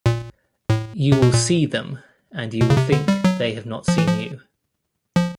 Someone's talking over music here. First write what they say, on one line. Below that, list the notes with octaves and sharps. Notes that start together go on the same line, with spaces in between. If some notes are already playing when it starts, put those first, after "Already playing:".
You will see them and you will think they have not seen you.
A#2
A2
C3
B2
A#2
B2
C#3
C3
D3
G3
F#3
F3
E3
F3
F3